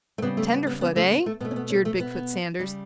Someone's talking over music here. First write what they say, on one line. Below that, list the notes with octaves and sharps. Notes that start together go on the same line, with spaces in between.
"Tenderfoot, eh?" jeered Big-foot Sanders.
A3
C#3 G3 B3
A3
B3
B3
B3
A3
B3
A3
B2 A3 B3
C#4
B3
C#4
A3
B3
C#3 G3